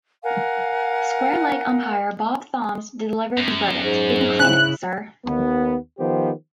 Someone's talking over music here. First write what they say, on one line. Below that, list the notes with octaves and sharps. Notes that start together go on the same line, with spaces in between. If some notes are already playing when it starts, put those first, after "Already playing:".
Square-leg umpire Bob Thoms delivered his verdict: If you claim it, Sir!
A#4 F5 F#5 G#5
F#2
G#2
C#3 E4 F#6
D#2 B3
D#3 F3 B3 G4 C5